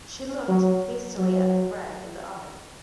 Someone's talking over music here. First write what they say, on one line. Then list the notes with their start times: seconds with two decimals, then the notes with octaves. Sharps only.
She looked hastily at the bread in the oven.
0.49 F#3
1.18 F#3